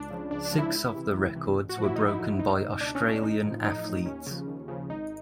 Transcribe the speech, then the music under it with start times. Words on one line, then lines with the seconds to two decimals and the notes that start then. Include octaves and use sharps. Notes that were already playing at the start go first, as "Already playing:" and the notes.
Six of the records were broken by Australian athletes.
Already playing: C#2 D4
0.10 C#3 F3
0.31 C#2 D4
0.45 D4
0.52 C#3 F3
0.58 E4
0.73 C#2
0.94 C3 E3
1.14 C#2
1.35 C3 E3
1.55 A1
1.69 F#4
1.76 A2 F3
1.84 E4
1.96 A1 D#4
2.08 E4
2.18 A2 F3
2.39 C#2 D#4
2.60 B2
2.81 C#2 D4
2.95 C#4
3.02 B2
3.08 D4
3.22 A1 D#4
3.44 A2 F3
3.64 A1 D#4
3.85 A2 F3
4.05 D#2 C#4
4.27 C#3 F3
4.47 D#2
4.68 C#3 F3
4.89 G#1 D#4